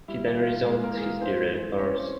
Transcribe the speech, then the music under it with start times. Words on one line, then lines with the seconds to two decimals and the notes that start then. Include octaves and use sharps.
He then resumed his earlier course.
0.08 G3 E4
0.36 E3 F4
0.65 G#3 A#3 G#4
0.83 A#3 A#4
0.93 E3 G#4
1.02 A#3 A#4
1.21 G#3 C4 C5
1.50 E3
1.78 C4 C#4 C#5